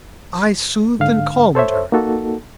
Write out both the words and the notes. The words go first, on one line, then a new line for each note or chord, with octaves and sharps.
I soothed and calmed her.
G#2 D3 F5
A4 C5 C#5 E5
A#3 D#4 F#4 A4